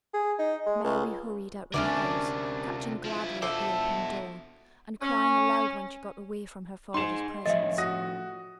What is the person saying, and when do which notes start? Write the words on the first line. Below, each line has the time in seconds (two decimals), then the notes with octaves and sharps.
Mary hurried out of the house catching gladly at the open door, and crying aloud when she got away from her father's presence.
0.14 G#4
0.38 D#4
0.66 G#3
0.84 C#2
1.74 D2 C3 C#4 D4 A#4 D5 E5
2.67 F4
3.05 F3 E4
3.42 B2 E4 A4 C5 D6
5.02 C#4
6.94 D#4 G#4 C6 E7
7.46 A2 F3 C#5 D#5 E5
7.78 F#4 D#6 A#6